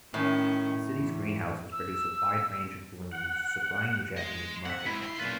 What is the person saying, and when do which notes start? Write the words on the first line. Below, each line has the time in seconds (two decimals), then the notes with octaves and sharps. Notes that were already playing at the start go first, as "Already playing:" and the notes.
The city's greenhouses produce a wide range of blooms, supplying the Japanese market.
0.14 A2 D#3 C#4
0.96 E2
1.72 E6
3.11 F#5
4.17 D#5 C6
4.66 C4 E5 F#5
4.86 G#2 E4 B5
5.03 D2 C6
5.20 B1 A#2 C#4 F4 B4